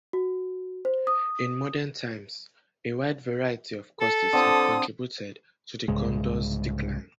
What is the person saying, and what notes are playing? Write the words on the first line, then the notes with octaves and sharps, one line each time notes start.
In modern times, a wide variety of causes have contributed to the condor's decline.
F#4
C5
D#6
A4
D3 C4 F4 D#6
C2 G#2 C#3 G#3